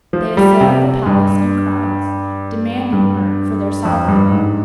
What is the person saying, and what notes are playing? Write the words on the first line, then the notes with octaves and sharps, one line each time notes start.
They assailed the palace in crowds, demanding her for their sovereign.
F3
G3
C3
G2
G2
F2
G2
G#2